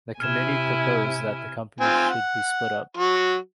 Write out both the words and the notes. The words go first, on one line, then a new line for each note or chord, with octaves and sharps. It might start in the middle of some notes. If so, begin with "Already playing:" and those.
The committee proposed that the company should be split up.
C3 E4 G#5 F6 G#6 E7
C4 F4 G#5
F#5
F#3 F#4